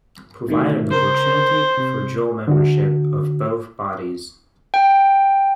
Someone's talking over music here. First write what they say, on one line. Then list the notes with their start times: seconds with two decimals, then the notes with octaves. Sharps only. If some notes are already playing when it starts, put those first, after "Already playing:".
Provide an opportunity for dual membership of both bodies.
0.48 B2 D#3 A3
0.91 C#3 A#4 C5
1.77 C3
2.48 D3 F#4
4.74 G5